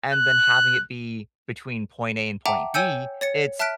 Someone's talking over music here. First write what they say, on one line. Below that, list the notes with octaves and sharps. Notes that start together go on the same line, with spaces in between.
And then having it be between point A and point B, it's,
F#6
E5 F#5 G5 A5 A#5 D6
C#5 G5 G#5 E6 G6 C#7
C#5 A6 C#7
E5 A5 F6 F#6 B6 D7